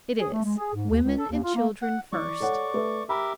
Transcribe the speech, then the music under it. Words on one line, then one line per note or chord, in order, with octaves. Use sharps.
It is, "Women and children first!"
G#4
A3
G#3
G#4
G#2
D#2
C#2
A4
D#2
F4
A#3
F#5
E3 D5 C#6
A4 C#5 F#5
A3 B4 E5
G4 A#4 E5 B5